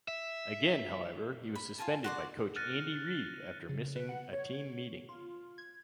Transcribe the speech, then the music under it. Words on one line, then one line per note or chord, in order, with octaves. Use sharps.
Again however, he was suspended by Coach Andy Reid after missing a team meeting.
E5
B5
F4 A#4 G#5 A5
F#4 C5 D5
F6 F#6 A6 A#6 C#7 D#7
C#3
B4
F#5
C#5
F4
G#6